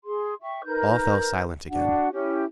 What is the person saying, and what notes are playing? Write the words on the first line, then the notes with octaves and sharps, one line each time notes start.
All fell silent again.
G#4 C6
E5 G5 C#6
D#4 A#4 B4 G6
D4 F#4 F#5
C#4 E4 G4